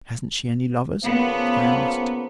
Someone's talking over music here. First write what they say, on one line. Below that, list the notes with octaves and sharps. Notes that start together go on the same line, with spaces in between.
"Hasn't she any lovers?" I asked.
C#3 F3 A#3 B3